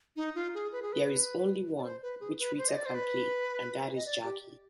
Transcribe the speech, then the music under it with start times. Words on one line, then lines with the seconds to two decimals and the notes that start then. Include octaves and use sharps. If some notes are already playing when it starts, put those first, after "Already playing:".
There is only one which Rita can play, and that is Jacky.
0.16 D#4
0.35 F4
0.54 G#4
0.72 B4
0.82 G#4
0.93 B4
1.78 D5
1.84 C5
2.02 B4
2.20 G#4
2.39 B4
2.58 C5
2.69 D#5
2.77 D5
2.86 C5
2.95 B4
3.95 D#5
4.06 D5
4.24 G4